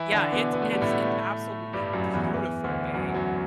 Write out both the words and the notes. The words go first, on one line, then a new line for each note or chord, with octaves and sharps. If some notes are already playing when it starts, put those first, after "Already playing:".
Yeah, it's it's an absolutely beautiful game.
Already playing: E3 E4
D3 D4
B2 B3
B3
A3
G3
A2 A3
G2 G3
F#2 F#3
E2 E3
E2 E3
D2 D3
F#2 F#3
F#2 F#3